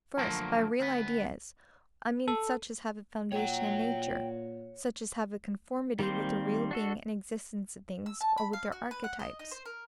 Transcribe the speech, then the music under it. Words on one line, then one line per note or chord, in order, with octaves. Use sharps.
First, by REAL IDEAS, I mean such as have a foundation in nature; such as have a conformity with the real being and existence of things, or with their archetypes.
F#2 D3 F3 F#3 A3 A#3
D2 B3
A4
A#2 C#5 F#5 G5
D#3 G3 A#3 C4 C5
D4 F#4 A4
E6
A5
B5
F5
F#4
B4
F#5
D#5
D#4
C5
A#4